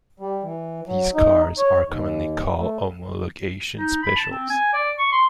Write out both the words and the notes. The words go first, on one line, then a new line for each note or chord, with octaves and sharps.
These cars are commonly called "homologation specials".
G3
E3
F#3
D#4
C#5
D#2
A3
D#4
B5
A5
C4
G#5
D5
C#6
C6